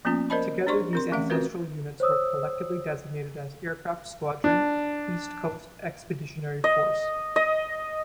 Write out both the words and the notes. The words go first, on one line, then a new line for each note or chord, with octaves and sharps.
Together, these ancestral units were collectively designated as Aircraft Squadron, East Coast Expeditionary Force.
F3 A#3 B3 C#4 F4
A#4 C5 D5 D#5 A5 B5
D4 G4 C5 D5 C6 C#6
C4 A#4 C6
E3 A3 C#4 E5 F5
C4 F4 F#4 A#4 B4
C5 C#5 D#6 E6
D4
D#5
D#5